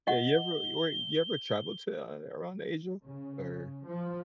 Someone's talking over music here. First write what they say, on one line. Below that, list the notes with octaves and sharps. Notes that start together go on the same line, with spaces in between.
Yeah, you ever your you ever traveled to, uh, around Asia? Or
D#5 F#5 G7
C#3
F3